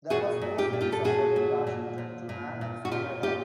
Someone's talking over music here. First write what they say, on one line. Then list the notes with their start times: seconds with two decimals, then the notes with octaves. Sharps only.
There was no serious effort in Washington to annex Canada.
0.10 A#2 F#4 G#4
0.41 A#2
0.58 F4 G4
0.73 A#2
0.81 F4 G4
0.92 A4
1.04 A#2 F#4 G#4
1.36 A#2
1.67 A#2
1.98 A#2
2.29 A#2
2.61 A#2
2.85 F#4
2.92 A#2 F4 G4
3.23 A#2 F4 G4